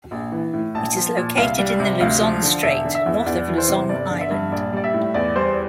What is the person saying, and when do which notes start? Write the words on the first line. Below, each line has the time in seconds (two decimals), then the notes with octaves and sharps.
It is located in the Luzon Strait north of Luzon Island.
0.11 A#1
0.32 E3
0.53 A2
0.74 A#1 A5
0.96 F3
1.17 A#2
1.37 C2 F5
1.58 G3
1.80 C3
2.00 D2 F5
2.21 F3
2.42 D3
2.63 E1 E5
2.85 D3
2.95 E5
3.06 E2
3.26 E2 D5
3.47 E3
3.58 C5
3.68 C3
3.89 G1 D5
4.10 D3
4.21 E5
4.31 G2
4.52 A#1 D5
4.73 G3 D5
4.84 E5
4.94 A2
5.14 E2 D5
5.36 G3 C5